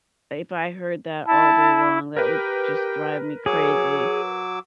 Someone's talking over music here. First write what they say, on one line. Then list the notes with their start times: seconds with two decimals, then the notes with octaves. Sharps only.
If I heard that all day long, that would just drive me crazy,
1.27 E4 A5
2.17 G4 A#4 B4 G5
3.46 F#3 G#4 C#5 D6 E6